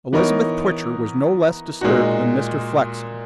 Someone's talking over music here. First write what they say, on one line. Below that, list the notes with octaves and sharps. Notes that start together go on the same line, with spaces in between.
Elizabeth Twitcher was no less disturbed than Mr. Flexen.
E3 B3 D#4 A#4 C#5
A#2 G#3 D#4 F#4